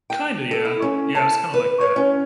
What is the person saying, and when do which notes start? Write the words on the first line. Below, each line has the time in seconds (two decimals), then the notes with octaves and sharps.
Kinda, yeah. Yeah, it's kinda like that,
0.10 G5
0.51 A4
0.65 E4
0.82 C#4
1.15 A5
1.54 B4
1.81 C#5
1.96 C#4